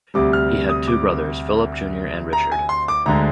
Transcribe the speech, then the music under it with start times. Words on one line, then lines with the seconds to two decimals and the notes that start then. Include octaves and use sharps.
He had two brothers, Philip Junior and Richard.
0.14 D2 C3 G3 D6
0.33 F6
0.69 D#6
0.88 D6
2.33 A#5
2.52 G#5
2.69 C6
2.88 D6
3.06 D2 D3 G#3 A#5